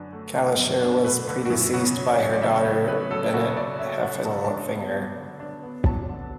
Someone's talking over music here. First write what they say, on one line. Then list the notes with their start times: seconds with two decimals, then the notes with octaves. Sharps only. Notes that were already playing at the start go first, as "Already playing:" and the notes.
Calisher was predeceased by her daughter, Bennet Heffelfinger.
Already playing: F#2 D3 D4 B4
0.13 A3
0.35 D3
0.59 F#2
0.82 D4
1.05 A3 B4
1.28 D3 B4
1.45 F#4
1.50 F#2 E4
1.73 C#3 F#4
1.96 C#4
2.08 C#5
2.19 F#3
2.24 C#5
2.33 D5
2.42 C#3 E5
2.65 C#3 C#5
2.88 C#4 B4
3.10 F#3 A4
3.34 C#3 F#4
3.50 C#5
3.57 C#3 D5
3.79 C#4 E5
4.02 F#3 F#5
4.25 C#3 A5
4.45 D4 A5
4.71 B3
4.94 F#3
5.17 D3
5.40 D4
5.63 B3
5.86 F#3 A5
6.09 D3